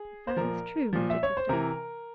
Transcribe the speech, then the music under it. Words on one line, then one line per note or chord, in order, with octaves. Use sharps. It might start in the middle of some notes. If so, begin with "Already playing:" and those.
"That is true, Major Tifto."
Already playing: G#4
C5
A#2 F3 A#4
A#2 F3
E5
C#5
C5
C3 E3 A#4